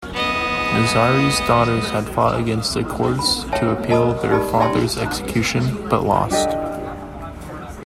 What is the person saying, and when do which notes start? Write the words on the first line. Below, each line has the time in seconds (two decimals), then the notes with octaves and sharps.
Nazari's daughters had fought against the courts to appeal their father's execution but lost.
0.13 B3 D#5
3.19 B5
3.52 C#5 E5 G5 A5
3.89 A#4 D#5 A5 B5 D#6
4.31 D#4 G4 D5 A5 B5
4.60 D5 E5 G5 A5 B5 C6
6.31 D4 G4 A4 D#5